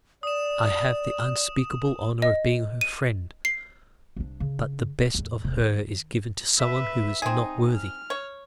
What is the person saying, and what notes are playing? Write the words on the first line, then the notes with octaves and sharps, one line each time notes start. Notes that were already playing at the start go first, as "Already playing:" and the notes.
I have the unspeakable honour of being her friend, but the best of her is given to someone who is not worthy.
D5 D#6 E7
D#5
D#7
C7
C2 D4
C#3
E2 A2
D#1 C3
D#3
B4 E5
C4 D#4 G#4
F6
C#5